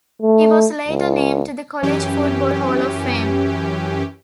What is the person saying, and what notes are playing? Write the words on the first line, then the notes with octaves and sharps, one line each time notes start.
He was later named to the College Football Hall of Fame.
A3
C#2
F#2 E3 C#4 G4